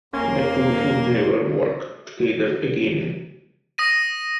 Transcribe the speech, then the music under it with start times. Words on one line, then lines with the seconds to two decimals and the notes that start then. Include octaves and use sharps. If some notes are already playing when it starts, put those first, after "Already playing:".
The two would never work together again.
0.13 F2 A#3 C#4 C6
3.78 D#6 A#6 D#7